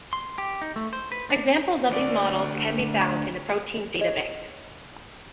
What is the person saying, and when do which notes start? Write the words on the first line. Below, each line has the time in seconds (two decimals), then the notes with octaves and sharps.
Examples of these models can be found in the Protein Data Bank.
0.13 C6
0.38 G4
0.62 D#4
0.76 A3
0.93 C5
1.12 B4
1.30 D4
1.91 D2 D5
4.01 G#4 C#5 D#5